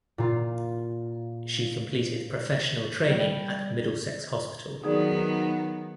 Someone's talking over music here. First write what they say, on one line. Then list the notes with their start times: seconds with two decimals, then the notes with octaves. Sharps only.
She completed professional training at Middlesex Hospital.
0.18 A#2 F4
3.10 G3
4.84 D#3 F#3 B3 D#4 G#4 D5